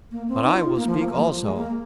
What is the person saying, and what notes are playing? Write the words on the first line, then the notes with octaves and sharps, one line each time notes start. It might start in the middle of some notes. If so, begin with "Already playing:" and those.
"But I will speak also!"
A#3
C4
D#4
F4
A#3
F3
A#3
A#3
F3
G#3
A#3